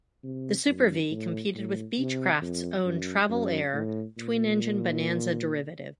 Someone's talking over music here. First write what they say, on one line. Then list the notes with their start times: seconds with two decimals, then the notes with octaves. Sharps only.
The Super-V competed with Beechcraft's own Travel Air twin-engine Bonanza derivative.
0.23 C3
0.66 F#2
1.11 A2
1.55 A2
1.98 C3
2.41 F2
2.85 F#2
3.29 F#2
3.73 A2
4.17 A#2